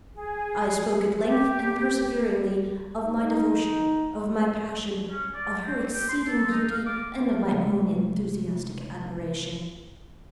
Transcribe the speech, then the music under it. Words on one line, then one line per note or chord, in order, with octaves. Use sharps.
I spoke at length, and perseveringly of my devotion, of my passion--of her exceeding beauty, and of my own enthusiastic admiration.
G#4
G4
D#4
C#4
D5
C4
G4
C6
A4
D#4
F5
D6
C2 G#3 A3